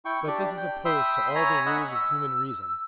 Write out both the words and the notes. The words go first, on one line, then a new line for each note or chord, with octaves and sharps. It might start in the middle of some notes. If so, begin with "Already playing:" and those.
But this is opposed to all the rules of human reason.
E4 G5 C#6
D4 G4 D5
G5
E5 G5 B5 C6 D#6 E6
C#5 G#5 A#5 B5
D#5 F#5 B5 C#6 D#6 E6
E6